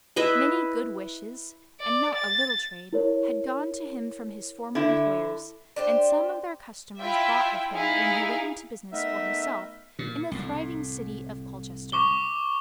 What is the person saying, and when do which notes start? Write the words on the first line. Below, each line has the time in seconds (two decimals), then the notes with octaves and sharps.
Many good wishes, and not a little trade, had gone to him from his former employers, and some of their customers bought of him when he went into business for himself in the thriving city of Colchester.
0.16 E4 B4 D#5 E5
1.80 D5
2.15 A6
2.93 E4 A#4 C#5
4.75 D3 E4
5.76 D4 G4 C5
7.00 E4 F4 E5 G5
7.72 D#4 E4 G#4 F5
8.93 A3 B3 D#4 A#4 D#5 E5
9.99 A#2
10.31 C2 A2
11.92 C#6 D6 G7